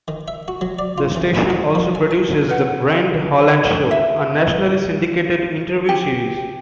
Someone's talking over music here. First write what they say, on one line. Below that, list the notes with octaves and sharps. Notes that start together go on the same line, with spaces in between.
The station also produces "The Brent Holland Show", a nationally syndicated interview series.
D#3
E5
F#4
F#3
D5
F4
E3
B4
F#3
F3
G#5
A5
A4 B4 F#5
E5
G4